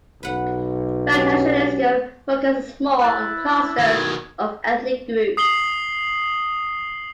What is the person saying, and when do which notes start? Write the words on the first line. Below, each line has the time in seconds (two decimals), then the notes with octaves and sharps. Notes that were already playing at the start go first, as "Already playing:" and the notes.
Pan-nationalism focuses more on "clusters" of ethnic groups.
0.23 B1 B4 F#5
1.12 F#3 C#4 G4
3.01 E4 F#6 A6
3.79 B2 D#3 G#6
5.37 D#6 C7 F#7 G7